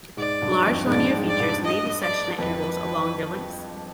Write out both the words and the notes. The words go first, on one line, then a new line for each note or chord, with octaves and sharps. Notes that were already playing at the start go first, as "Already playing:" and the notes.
Large linear features may be sectioned at intervals along their lengths.
G#2 D5
G2
F2
G#2
G2 D5
G#2
D5
G2
D#5
D5
F2 B4